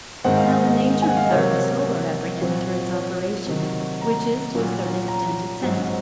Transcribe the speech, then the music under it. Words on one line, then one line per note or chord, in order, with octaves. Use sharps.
Now the nature and power of the soul are apprehended through its operation, which is to a certain extent its end.
G#2 D#3 G#3 C4 F#5
F5
D#5
D#5
G#5
F#5
F5
D#5
C3 F#3 A#3 C#5
A#2 F#3 C4
C#5
C3 D#3 F#3
A#5
A#2 F#3 C#4
A#5
G#2 F#3 C4